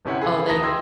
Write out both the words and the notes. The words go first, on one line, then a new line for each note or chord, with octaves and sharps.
Oh, they
G1 C3 C#4 E4 F#5
G#4 A4 B4
D2 A5 A#5 D#6 A#6
D#5 G5 C6 E6 G#6 A#6